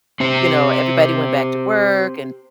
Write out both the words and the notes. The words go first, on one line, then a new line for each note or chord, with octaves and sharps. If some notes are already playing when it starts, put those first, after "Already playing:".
you know, everybody went back to work, and,
C4 G4 C5